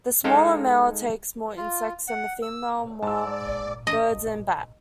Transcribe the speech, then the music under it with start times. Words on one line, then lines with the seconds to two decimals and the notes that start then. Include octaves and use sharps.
The smaller male takes more insects, and the female more birds and bats.
0.24 G#3 D#4 A4 C5 F5 G5
1.57 F4
2.08 F#5
2.42 E6
3.03 G#2 D5 A5 E6
3.87 D#5